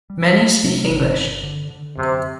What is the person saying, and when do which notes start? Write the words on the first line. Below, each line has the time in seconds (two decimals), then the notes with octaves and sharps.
Many speak English.
0.10 G3
0.36 A3
0.64 C3
0.90 G1
1.17 G1
1.43 D3
1.70 D3
1.97 F#2 C3